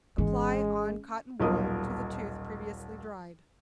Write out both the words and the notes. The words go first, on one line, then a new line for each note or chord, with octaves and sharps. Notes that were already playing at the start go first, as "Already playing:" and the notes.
Apply on cotton wool, to the tooth, previously dried.
G#1 E3 G#3 C#4
D#1 B1 F4 A#4 D#6